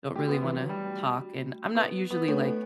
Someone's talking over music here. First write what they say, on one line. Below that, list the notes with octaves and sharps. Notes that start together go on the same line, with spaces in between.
don't really wanna talk. And I'm not usually, like
A3 D4 F#4 G4
B3
E3
F#3
G3
B3
B3
A3 D4 A4 C#5